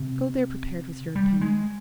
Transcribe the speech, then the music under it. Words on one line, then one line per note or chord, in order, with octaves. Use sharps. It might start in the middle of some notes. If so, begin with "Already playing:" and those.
Go there prepared with your opinion.
Already playing: C3
G3
G#3